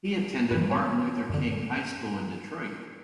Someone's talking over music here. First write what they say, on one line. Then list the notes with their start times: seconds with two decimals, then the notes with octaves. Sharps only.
He attended Martin Luther King High School in Detroit.
0.51 G2 E3 B4
0.71 C#5
1.30 F#2 D3